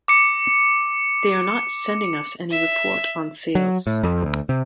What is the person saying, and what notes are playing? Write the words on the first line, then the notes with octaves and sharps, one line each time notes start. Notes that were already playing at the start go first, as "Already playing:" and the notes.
They are not sending us any report on sales.
D6 C#7
E5
F#3
A2
F2
D2
C3